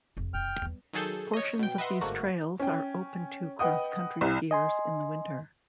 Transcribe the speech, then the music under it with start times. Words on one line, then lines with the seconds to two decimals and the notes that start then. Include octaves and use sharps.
Portions of these trails are open to cross-country skiers in the winter.
0.17 F#1 F2 C3
0.34 E1 G5 F6
0.62 E2 G3 B3
0.93 D#3 F#3 G#4 A4 G6
1.34 C#5 D#5
1.59 B2 G5
1.78 B4 D#5 E5 F#5 C6
2.01 G1 G#2 A3 A#3 F#4
2.59 C#4 G5
3.59 B4 D#5 F#5 G5 D#6
4.21 C2
4.51 D#5 G#5 C6